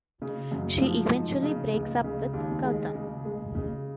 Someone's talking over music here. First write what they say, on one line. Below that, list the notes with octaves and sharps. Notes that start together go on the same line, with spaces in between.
She eventually breaks up with Gautham.
C#3
F#2
F3
G#2
C#3
C#2
C#3
D#2
G#3
C#3
G#3
C#3